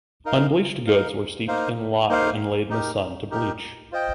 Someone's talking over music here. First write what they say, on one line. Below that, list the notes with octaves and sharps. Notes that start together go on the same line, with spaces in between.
Unbleached goods were steeped in lye and laid in the sun to bleach.
D#4 A#4 F5
D#4 A#4 F5
A#3 D#4 C5 F5
A#3 D#4 C5 F5
D#4 G4 A#4
D#4 G4 A#4
F4 C5 D#5 G5